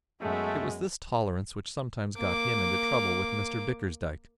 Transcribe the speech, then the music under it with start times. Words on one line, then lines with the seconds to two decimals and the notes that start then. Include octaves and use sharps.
It was this tolerance which sometimes got him into trouble with Mr Bickersdyke.
0.20 F#2 G#3 A3 B3
2.18 A#3 D6